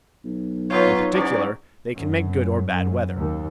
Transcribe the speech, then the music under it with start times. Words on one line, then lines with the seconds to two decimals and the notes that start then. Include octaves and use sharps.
In particular they can make good or bad weather.
0.24 B1
0.70 F#3 D#4 F4 B4 C#5
1.13 E2 G#2 C#4 D5
1.93 F#2
2.67 F#2
3.16 D#2